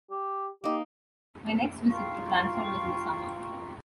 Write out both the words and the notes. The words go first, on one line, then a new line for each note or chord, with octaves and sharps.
My next visit to Cranford was in the summer.
G4
A#3 D#4 G4
F4 G5 A#5 C#6